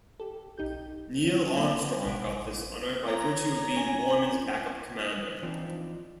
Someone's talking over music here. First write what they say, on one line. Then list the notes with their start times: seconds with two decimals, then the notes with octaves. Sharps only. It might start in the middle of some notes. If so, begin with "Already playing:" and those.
Neil Armstrong got this honor by virtue of being Borman's backup commander.
0.20 G4 A4
0.58 B1 D#4 G4 G6
1.24 C#4
1.57 A#3 C4 B4 D5
2.05 A1 B2 F#5 D7
3.08 C#5 A#5
3.77 C#4 G#5
5.43 E3 F3 C4 D4 D#4 F4